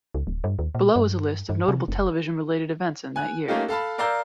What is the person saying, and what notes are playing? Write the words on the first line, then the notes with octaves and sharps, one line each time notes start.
Below is a list of notable television-related events in that year.
C#2
D1
G2
D#2
A#2
G2
G2
C3
F#1
G#5 F#6
A3 A#3 C#4 D#4 F4 G4
A4 F5 A5 B5
A#4 D5 F5 A#5 E6 G6